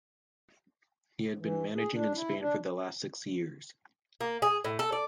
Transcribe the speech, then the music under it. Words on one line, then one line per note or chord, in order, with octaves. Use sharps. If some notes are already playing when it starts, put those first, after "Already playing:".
He had been managing in Spain for the last six years.
E3
G#4
D4
E4
D4
A#3
G#4
A2
A4
D5